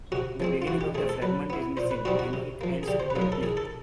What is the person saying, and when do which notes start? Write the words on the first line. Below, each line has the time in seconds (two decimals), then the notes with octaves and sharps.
The beginning of the fragment is missing, and it ends abruptly.
0.12 C3 F#4
0.40 F3 G#3 C4
0.62 F4
0.67 E3 F#4
0.81 G4
0.95 A3 C4 G#4
1.09 A4
1.22 F#3 B4
1.50 B3 E4
1.77 A#2 C5
1.91 B4
2.05 G3 C4 D#4 F#4
2.19 F#4
2.33 C3
2.61 F3 A#3
2.83 G#4
2.88 D3 G4
3.00 C5
3.10 B4
3.15 F#3 A#3 D#4
3.22 A#4
3.32 A4
3.43 D#3 G#4
3.57 A4